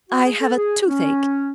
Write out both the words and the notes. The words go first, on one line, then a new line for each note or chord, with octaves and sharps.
I have a toothache.
F#4
G#4
A4
G#4
C#4